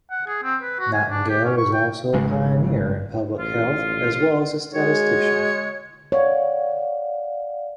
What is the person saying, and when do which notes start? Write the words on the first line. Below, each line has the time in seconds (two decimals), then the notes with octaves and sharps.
Nightingale was also a pioneer in public health as well as a statistician.
0.11 F#5
0.27 G#4
0.43 C4
0.63 B4
0.79 F#4
0.93 G#5
1.11 D4
1.29 G4
1.44 C#4
1.57 C#6
1.73 G5
2.13 G#1 C#3 G#3
3.39 A1 F4
4.74 G#3 F#4 G#4 C#5
6.12 C#5 D5 F5 F#5